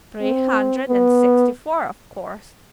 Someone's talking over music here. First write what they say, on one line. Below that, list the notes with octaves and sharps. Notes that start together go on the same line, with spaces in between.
'Three hundred and sixty-four, of course.'
C4
B3